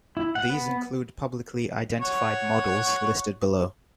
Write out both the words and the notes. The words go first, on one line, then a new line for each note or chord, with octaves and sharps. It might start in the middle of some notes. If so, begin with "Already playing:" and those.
These include publicly identified models listed below.
E4
F#5
B3
C#5 F#5 C#6